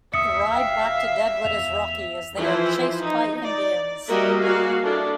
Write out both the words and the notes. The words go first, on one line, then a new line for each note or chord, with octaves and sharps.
The ride back to Deadwood is rocky, as they are chased by Indians.
D#2 E5 D#6 E6 C#7
F1 F5 G5
E2 F7
E3 F3 E4 C5
D#4
D5
G3 A#3 F#4 A#4 D#5 E5
A#3 F#4 G#4 F5
D4 E4 A4